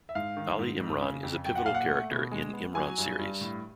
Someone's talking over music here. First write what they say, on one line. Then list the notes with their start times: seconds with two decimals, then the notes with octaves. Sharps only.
Ali Imran is a pivotal character in Imran Series.
0.09 E5
0.15 G#2 F5
0.37 D#3
0.59 G#2
0.80 F2
1.02 C#3
1.23 F2
1.45 F#3 G5
1.55 F#5
1.66 A#2 F5
1.75 F#5
1.89 A3
2.11 B2
2.31 G#3
2.53 B3
2.75 F#3 G#5
2.98 G2
3.19 G2
3.41 A2